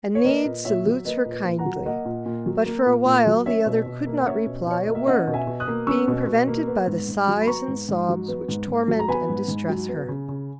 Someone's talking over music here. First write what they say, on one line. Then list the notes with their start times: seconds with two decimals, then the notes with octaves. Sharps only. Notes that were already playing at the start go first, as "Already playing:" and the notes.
Enide salutes her kindly; but for a while the other could not reply a word, being prevented by the sighs and sobs which torment and distress her.
0.15 C#5
0.25 A#3 B4 D#5
0.45 A#2
0.65 A#2 C#5 E5
0.86 F#3
1.05 A#3 B4 D#5
1.25 A#2
1.32 B4
1.45 A#2
1.59 F#5 A#5
1.65 F#3
1.86 A#3 D#5 F#5
2.05 A#2
2.26 A#2
2.46 F#3
2.66 A#3
2.86 A#2
3.06 A#2
3.26 F#3
3.46 C#4 C#5 E5
3.66 B2
3.86 B2
4.06 A#3
4.20 F#5
4.26 C#4 C#5 E5
4.47 B2
4.66 B2 C#5
4.83 A#3 D#5
4.95 E5
5.07 C#4 D#5 F#5
5.27 B2
5.33 E5 G#5
5.47 B2
5.60 D#6 F#6
5.67 A#3
5.87 C#4 C#6 E6
6.08 B2
6.27 B2
6.48 A#3
6.67 B3
6.87 G#2
7.08 G#2
7.28 F#3
7.42 B5
7.47 B3 A#5 C#6
7.68 G#2
7.89 G#2
8.09 F#3
8.28 B3
8.48 G#2
8.68 G#2
8.88 F#3
8.99 A#5
9.08 B3 G#5 B5
9.29 G#2
9.48 G#2
9.68 F#3
9.89 B3
10.08 C#3
10.29 C#3